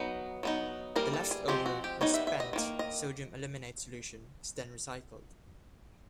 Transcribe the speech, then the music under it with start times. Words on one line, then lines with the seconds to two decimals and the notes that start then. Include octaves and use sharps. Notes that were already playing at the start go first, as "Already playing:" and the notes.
The left-over or 'spent' sodium aluminate solution is then recycled.
Already playing: F#3 B3 D#4 B4
0.43 F#3 B3 D#4
0.96 E3 G3 A#3 A#4
1.14 A4
1.31 G#4
1.48 F3 G#3 C4 G4
1.66 F#4
1.84 G4
2.01 G3 B3 D#4 C#5
2.14 E5
2.27 E5
2.40 D#5
2.53 D#3 G3 A#3
2.79 D#5